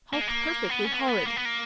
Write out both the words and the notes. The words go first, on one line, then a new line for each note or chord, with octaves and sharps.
How perfectly horrid!
A#3
G#3
A#3
B3
C#4
B3
A#3
B3
A#3
B3
A#3